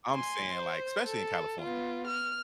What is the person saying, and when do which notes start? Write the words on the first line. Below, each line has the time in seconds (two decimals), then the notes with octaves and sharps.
I'm saying, like, especially in California,
0.12 G#5 C6
0.56 C5
1.06 A4
1.61 B3 F4
2.07 F6